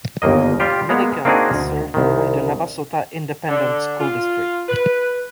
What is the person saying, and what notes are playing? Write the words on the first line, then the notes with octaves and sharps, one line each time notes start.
Millican is served by the Navasota Independent School District.
G1 D#2 A#3 D#5
G3 F4 G4
G#3 A#3 B3
A#3 C4 D4 D#4 F#4 G#4
D2
C2 D#3
D3
F4
B4